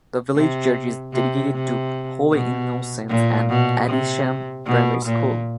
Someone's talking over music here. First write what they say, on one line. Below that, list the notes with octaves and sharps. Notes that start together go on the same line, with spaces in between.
The village church is dedicated to "Holy Innocents" and Adisham primary school.
C3
C3
C3
B2
A#2
B2
C3
B2
A#2